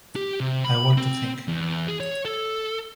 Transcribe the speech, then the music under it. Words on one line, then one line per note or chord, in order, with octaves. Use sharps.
I want to think.
G4
C3
B5
C4
E2
G#4
C#5
A4